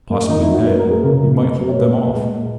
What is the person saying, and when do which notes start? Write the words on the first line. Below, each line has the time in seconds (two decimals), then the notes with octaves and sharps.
Possibly then we might hold them off.
0.10 F#2
0.29 D#3 D#4
0.41 E4
0.48 F#3
0.54 F#4
0.66 F#2 B4
0.79 A#4
0.86 F#2
0.91 G#4
1.04 C#3 A#4
1.23 F#3
1.41 F#2
1.60 F#2
1.69 C#5
1.78 G#3 B4
1.96 A#2
2.15 G#3
2.34 A#2